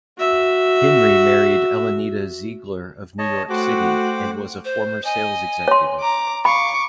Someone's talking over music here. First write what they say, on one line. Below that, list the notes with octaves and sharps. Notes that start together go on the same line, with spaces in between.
Henry married Elenita Ziegler of New York City and was a former sales executive.
F#4 E5
C#5 D#5 A5
A3 F#4 C5 F#5 G5 D6
C5
D#5 G#5
C#5 C6
A#5 D6
F5 B5 C#6 D6